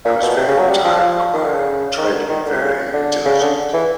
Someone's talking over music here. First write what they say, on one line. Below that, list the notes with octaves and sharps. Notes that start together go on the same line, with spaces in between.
I was very retired and quiet, and tried to be very diligent.
A#2
B2
C3
C#3
F#3
G3
F3
F3
D#3
D3
C#3
D#3
D3
D#3
D3
C3
C#3
D3
C#3
D3
E3